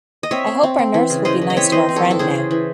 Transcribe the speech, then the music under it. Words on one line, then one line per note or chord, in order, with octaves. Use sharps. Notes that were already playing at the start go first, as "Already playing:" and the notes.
I hope our nurse will be nice to our friend now.
D#5
C4 C#5 E5
C4
C4
C4
E3
C#3
C#3 C5 D#5
E3
D#5
C4 C#5 E5
E3 C5 D#5
C4
A4 C#5
C4
A4
C#3 G#4 C5
C#3
E3